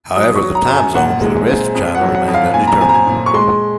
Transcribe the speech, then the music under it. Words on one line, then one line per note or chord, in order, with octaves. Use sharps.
However, the timezone for rest of China remain undetermined.
F#3 D#6
C#6
F#3
A#5
F#2
G#5
A#2 F#5
G#3
C4
F2
F#5
F#3
F#5
F2
F5
A#2 G#5
A#5
C4 G#5
A#5
G#5
A#2
C#6
G#3 C6